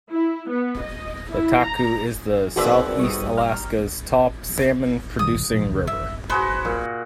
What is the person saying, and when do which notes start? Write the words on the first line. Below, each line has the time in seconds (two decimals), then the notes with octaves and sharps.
The Taku is the Southeast Alaska's top salmon-producing river.
0.11 E4
0.50 B3
0.81 D#5
1.30 E4
1.60 A#5
2.56 G#2 C4 F#4 A#4 B4 D5 E5
3.00 G1 G3 C#6 D#6
3.38 A#5 F6
5.19 G2 B2 D#3 D#6
5.52 A#2 E3 F3
5.71 D1 E2 C#3
5.87 G1 E5
6.30 F#4 G#4 B4 C5 F#5
6.65 A#2